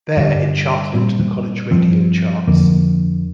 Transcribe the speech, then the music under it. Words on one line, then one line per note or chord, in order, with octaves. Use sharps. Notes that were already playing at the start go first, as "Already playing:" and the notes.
There it charted into the college radio charts.
G2 D3 G3
A#2 G3 C4
G2 F3 C4
F2 D3 A#3